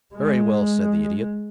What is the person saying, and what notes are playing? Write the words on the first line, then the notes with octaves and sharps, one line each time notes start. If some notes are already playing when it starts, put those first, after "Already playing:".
"Very well," said the Idiot.
G#3